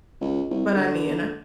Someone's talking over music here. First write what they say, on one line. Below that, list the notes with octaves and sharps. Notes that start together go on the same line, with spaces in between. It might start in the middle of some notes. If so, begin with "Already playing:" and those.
but I mean,
C#2
C2
D3